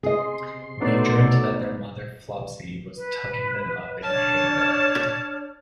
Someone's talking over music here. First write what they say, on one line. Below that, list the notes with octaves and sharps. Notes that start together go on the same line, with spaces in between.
They dreamt that their mother Flopsy was tucking them up in a hay bed.
C3 G#4 D#5 C6
F#3 A3 B3 D#4 A4 D5
B4
D4 C#5 A5 F6